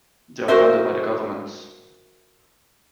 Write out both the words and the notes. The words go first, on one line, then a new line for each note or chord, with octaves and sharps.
They are funded by the government.
F#4 A#4 C5 E5